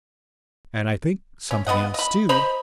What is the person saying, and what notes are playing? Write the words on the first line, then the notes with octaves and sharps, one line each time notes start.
"And I think something else, too."
C#4
B3 C4 D#5 F#5
D#5 B5
C5 D#5 A#5 B5